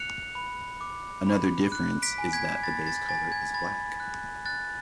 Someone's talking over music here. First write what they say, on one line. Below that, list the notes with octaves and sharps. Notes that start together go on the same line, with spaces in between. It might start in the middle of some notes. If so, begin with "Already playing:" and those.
Another difference is that the base color is black.
Already playing: F#6 C#7 F7
B5
D6
B5
F#6
B6 D7
G#5
G#6 B6
B5 A6
A6
G#5 A6
G#6
B5 A6
F#6
F#6 A6